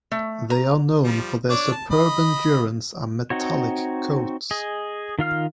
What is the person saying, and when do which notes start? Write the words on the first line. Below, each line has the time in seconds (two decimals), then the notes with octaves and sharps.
They are known for their superb endurance and "metallic" coats.
0.11 A3
0.50 A#5
1.04 F3 G3
1.50 D4 C#5 D6
1.72 A5
1.91 D#5 B5
3.30 C4 D#4 F#4 C#5
4.51 G#4 D#5
5.19 D#3 F4 F5 F6